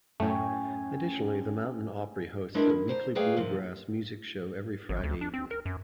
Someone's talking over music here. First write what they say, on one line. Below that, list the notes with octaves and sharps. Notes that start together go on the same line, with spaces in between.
Additionally, the Mountain Opry hosts a weekly bluegrass music show every Friday evening.
F#2 A2 A3 C#4 C#5 G5 G#5
G#3 B3 C4 D4 E4 A#4
D#3
D2 C5 A#5
A3 G#4 B4 D5 F5 G5
F#2 C3 F3
G#1
D2
D4
C4
A#4
F#2